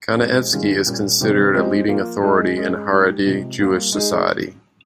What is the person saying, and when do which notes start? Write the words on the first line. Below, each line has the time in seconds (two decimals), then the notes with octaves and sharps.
Kanievsky is considered a leading authority in Haredi Jewish society.
0.18 A#2 F3 G#3 C4 G4
0.52 D#3 G3 C#4 F4 G#4
0.87 A#2 G3 C#4
1.21 C3 D#3 G3 C4 G4
1.54 F3 G#3 C4 G4
1.89 F3 A#3 F4
2.22 G#3 D#4 G#4
2.56 G#3 C#4 G#4
2.91 G#3 D#4 G4
3.25 C3 F3 G#3
3.59 G3 A#3 F4
3.92 G#3 D#4 G#4